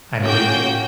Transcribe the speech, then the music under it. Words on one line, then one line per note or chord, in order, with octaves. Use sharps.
I believe it.
A#3 C#4 F#4 G5